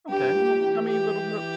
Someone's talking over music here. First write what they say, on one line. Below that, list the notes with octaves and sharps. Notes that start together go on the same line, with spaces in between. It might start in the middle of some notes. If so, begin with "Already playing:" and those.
Okay. Well, tell me a little bit
G2 G4
A#2
E3
G4